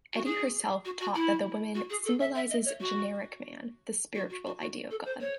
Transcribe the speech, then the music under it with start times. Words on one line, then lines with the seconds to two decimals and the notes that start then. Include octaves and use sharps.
Eddy herself taught that the woman "symbolizes generic man, the spiritual idea of God".
0.13 F#4
0.24 G#4
0.84 F#4
0.99 F#4
1.14 E4
1.74 F#4
1.89 G#4
2.04 A4
2.20 E5
2.35 E5
2.50 D#5
2.65 C#5
2.80 F#4
4.14 F#4
4.29 F#4
4.45 F#4
4.60 F#4
4.90 A4
5.05 C5
5.20 C#5